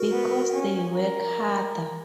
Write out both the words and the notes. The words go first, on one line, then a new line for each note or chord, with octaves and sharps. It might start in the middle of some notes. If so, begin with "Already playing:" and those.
Because they work harder?
Already playing: F#4 A#4
B3
C#4
A#4